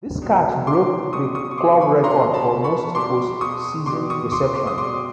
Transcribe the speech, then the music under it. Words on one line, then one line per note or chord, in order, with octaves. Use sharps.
This catch broke the club record for most postseason receptions.
B2 G3
C6 D6
B2 G3 C#6 D#6
C#6 D#6
C#6
C6 D6
B5 C#6
B2 G3 A#5 C6
A5 B5
B5 C#6
B2 G3 C6 D6
C#6 D#6
B2 G3 C6 D6
C#6 D#6
C6 D6
C6 D6
D#6
B2 G3 C6 D6